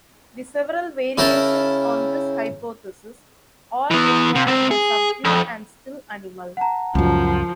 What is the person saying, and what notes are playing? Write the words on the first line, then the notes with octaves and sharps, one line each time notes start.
The several variations on this hypothesis all require a subdued and still animal.
C#3 E4 A#4 G5 A5
E3 B3
C3
C#2 C4
G#4
F2
F#5 A5 A#5
C#2 F#2 F3